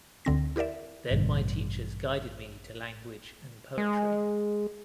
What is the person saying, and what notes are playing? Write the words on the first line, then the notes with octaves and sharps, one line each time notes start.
Then my teachers guided me to language and poetry.
D2 D3 C4 A#6
E4 G4 A#4 D5 E5
A1 G2 B2
G#3